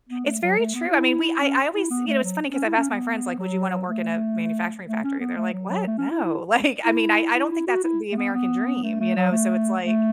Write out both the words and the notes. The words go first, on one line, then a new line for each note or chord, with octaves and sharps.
It's very true. I mean, we I I always you know, it's funny 'cause I've asked my friends, like, "Would you want to work in a manufacturing factory?" They're like, "What, no," like, I mean, I I don't think that's the American dream, you know, so it's like
B3
A3
F#3
A3
B3
F#4
E4
C#4
E4
B3
A3
F#3
C#4
E4
C#4
B3
F#3
A3
A3
C#4
B3
A3
F#3
F#3
A3
C#4
E4
E4
E4
E4
E4
F#4
E4
A3
B3
B3
A3
A3
F#3
A3
A3